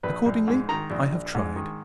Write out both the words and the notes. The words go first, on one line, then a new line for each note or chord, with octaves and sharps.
Accordingly, I have tried.
A#1 B4
A#1
G#2
D#3 A#5
A#1
A#1
G#2
D#3